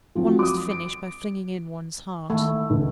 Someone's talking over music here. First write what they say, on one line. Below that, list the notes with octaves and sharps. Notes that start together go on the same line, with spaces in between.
One must finish by flinging in one's heart.
F3 F#3 C4
D6 D#6
D7
D#3 A3
C#2